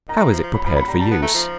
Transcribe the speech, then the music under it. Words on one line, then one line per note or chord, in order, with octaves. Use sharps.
How is it prepared for use?
D#3 A#5
E3
F3
F3
F#3 B5
F3 B5
F#3 B5
G3 A#5
G3 A5
B3
A3 A#5
F3